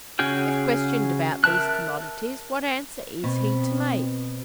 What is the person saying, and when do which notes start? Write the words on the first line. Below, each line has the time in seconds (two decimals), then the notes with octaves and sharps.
If questioned about these commodities, what answer is he to make?
0.19 C#3 C#4 F#4 G#4 G5
1.44 A#4 E5 A5 F#6
3.24 B2 C4